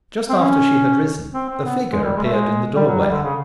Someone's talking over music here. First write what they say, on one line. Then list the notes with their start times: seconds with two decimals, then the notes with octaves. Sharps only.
Just after she had risen, a figure appeared in the doorway.
0.29 C4
0.39 C#4
1.34 C4
1.49 C4
1.65 B3
1.92 G#3
2.04 G3
2.17 G#3
2.24 A3
2.32 G#3
2.76 G3
2.87 F#3
3.00 G3
3.11 D3
3.23 C#3